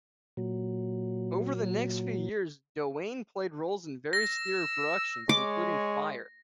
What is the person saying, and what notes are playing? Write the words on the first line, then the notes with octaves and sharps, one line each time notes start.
Over the next few years Doane played roles in various theatre productions, including Fire!
A#2 F#3
E6 A#6
G#3 C#5 D6